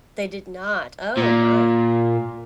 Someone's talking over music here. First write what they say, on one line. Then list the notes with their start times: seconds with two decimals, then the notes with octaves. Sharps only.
They did not. Oh my.
1.17 A#2